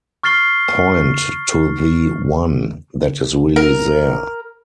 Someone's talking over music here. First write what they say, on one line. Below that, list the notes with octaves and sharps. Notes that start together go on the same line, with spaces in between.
Point to the one that is really there.
C#6 F6 A6 C7 G7
A#4